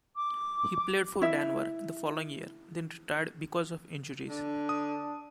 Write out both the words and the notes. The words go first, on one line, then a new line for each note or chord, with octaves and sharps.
He played for Denver the following year, then retired because of injuries.
D6
E4 E5
D3 D4
D#6